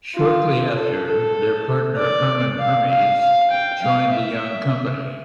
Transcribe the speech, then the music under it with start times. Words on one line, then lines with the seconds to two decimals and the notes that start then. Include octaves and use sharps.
Shortly after, their partner Hermann Hermes joined the young company.
0.15 F4
0.76 A4
1.06 A4
1.98 D5
2.59 F5
2.89 F5
3.20 F5
3.51 G5
3.82 F5
4.12 E5